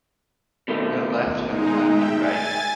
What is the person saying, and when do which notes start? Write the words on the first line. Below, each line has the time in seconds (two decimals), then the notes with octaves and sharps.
It left him time to write.
0.68 B2 D#3 A3
1.45 G#3 D#4
1.87 E5 G5
2.19 G#5 A6